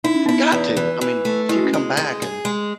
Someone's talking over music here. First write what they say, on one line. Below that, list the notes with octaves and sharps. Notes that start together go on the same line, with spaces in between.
Got to. I mean, if you come back and,
D#4 E4
C#4
B3 D#4 E4
E2
E3
E3
A3
G#3 E4
F#4
C#4 E4
G#3
G#3
G#4
G#3